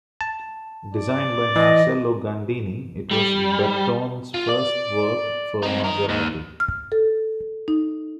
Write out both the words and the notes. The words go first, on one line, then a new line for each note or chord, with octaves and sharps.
Designed by Marcello Gandini, it was Bertone's first work for Maserati.
A5
D5
E3 D#5
G3
F4
D5
C4 D#4
D#4 A#4
D#2 D#3
F6
A4
D#4